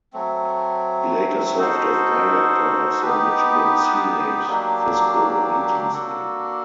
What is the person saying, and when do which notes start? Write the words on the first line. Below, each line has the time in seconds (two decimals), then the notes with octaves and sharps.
He later served as Director of the Michigan Senate Fiscal Agency.
0.13 F#3 A3 C4
1.57 D#4 F#4 A4 C5
3.02 B3 D#4 G4 B4
4.47 F#3 A#3 D4 G4
5.91 A#3 D4 F#4 A4